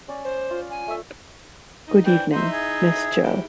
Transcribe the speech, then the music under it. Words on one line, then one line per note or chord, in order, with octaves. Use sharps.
Good evening, Miss Jo.
C#4 D5
C5
F4
G#5
A3 E5
D#4
E3 C4 D4 G5
D#4 E4 C5 E5
G#4
G#2 E4 G4